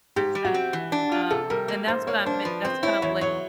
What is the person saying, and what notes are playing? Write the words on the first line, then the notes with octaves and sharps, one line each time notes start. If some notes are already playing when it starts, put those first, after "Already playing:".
Exactly. Um, and that's what I meant that's kind of, like,
G#2 G4
G3
F#4
C4
E3
D4
F4
C3 A4
G3 A#4
A#3
G#2 C5
A#3 C#5
D4 C5
F3 B4
C4 C5
E4 C#5
E2 C#5
F#3 C#5